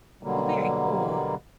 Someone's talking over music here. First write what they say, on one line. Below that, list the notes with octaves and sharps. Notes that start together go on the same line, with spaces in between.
Well, very cool,
B2 D3 F#3 G3 A#3